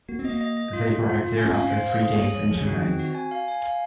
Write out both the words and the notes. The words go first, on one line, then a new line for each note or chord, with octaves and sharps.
They arrived there after three days and two nights.
A#3 F#4
C4
A#3 D#5
D#5
D#5
F4
F4
F4
F4
G#5
C#4
C4 F5
C#4
C5
F5
G#4
A#3 C#5
C#5
F3 G#4
C#3
D#3 F#4
C4
F#4
G#5
F5
G#5
F5